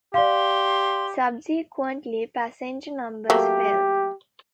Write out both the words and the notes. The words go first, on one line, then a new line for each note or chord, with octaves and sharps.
Subsequently, passenger numbers fell.
G4 D5 F5 C6
F#3 A3 A#3 G4